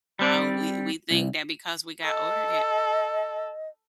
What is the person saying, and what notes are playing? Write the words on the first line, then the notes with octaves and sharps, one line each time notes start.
uh, we we think that because we got older that
G3 C4 D5
C2
A4 D#5